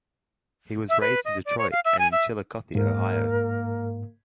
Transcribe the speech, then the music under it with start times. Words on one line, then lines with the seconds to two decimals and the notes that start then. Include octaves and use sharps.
He was raised in Detroit and in Chillicothe, Ohio.
0.89 E5
1.01 B4
1.25 D#5
1.46 D5
1.58 C#5
1.72 F5
1.85 E5
1.99 G#5
2.12 E5
2.75 G#2 A#3 A#4